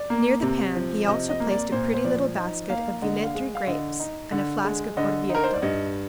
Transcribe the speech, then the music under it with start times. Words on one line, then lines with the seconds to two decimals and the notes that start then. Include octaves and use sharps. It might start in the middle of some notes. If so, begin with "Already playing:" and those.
Near the pan he also placed a pretty little basket of Villetri grapes and a flask of Orvieto.
Already playing: D5
0.10 A#3
0.42 C3
0.75 F3
1.08 C3 D#5
1.29 D#5
1.40 A#3
1.51 D5
1.72 A#2 C5
1.94 C5
2.05 F3 D5
2.37 D#4
2.70 A#3 F5
3.02 D3 D#5
3.24 F5
3.35 G#3
3.55 F5
3.67 D3 D#5
4.00 D#4
4.32 D3
4.64 G#3
4.97 D3 D#5
5.30 D#4
5.35 A#4
5.43 C5
5.53 D5
5.62 G2 D#5